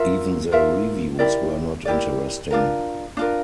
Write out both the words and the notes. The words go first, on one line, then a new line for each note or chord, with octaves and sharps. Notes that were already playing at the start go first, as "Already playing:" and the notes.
Even the reviews were not interesting.
Already playing: F4 A#4 E5
F4 A#4 E5
E4 G4 A#4 D5
E4 G4 A#4 D5
D4 F4 A#4
D4 F4 A#4